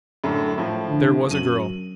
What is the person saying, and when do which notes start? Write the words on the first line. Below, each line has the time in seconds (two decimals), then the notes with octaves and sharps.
There was a girl.
0.24 F#2 A2 D3
0.58 A2 F3
0.88 D3
1.31 F#2 D#7 F#7